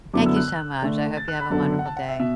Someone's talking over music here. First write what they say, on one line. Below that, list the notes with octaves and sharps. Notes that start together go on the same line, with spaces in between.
Thank you so much, I hope you have a wonderful day,
F#2 D3 B3 E4 D6
E6
F#6
F#6
D3 A3 D4
A6
F#6
B5
F#2 D3 B3 D4 A5
F#5
A5
F#5
E5
B2 E5